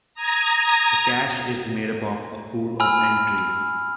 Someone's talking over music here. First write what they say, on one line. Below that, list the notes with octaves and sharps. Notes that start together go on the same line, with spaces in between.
A cache is made up of a pool of entries.
A#5 D#6 G#6 A#6
G#5 B5 E6 F6